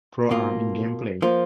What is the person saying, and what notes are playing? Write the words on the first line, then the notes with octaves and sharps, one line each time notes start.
Pro-Am in gameplay.
B2 A#3 F4
F3 A#3 F4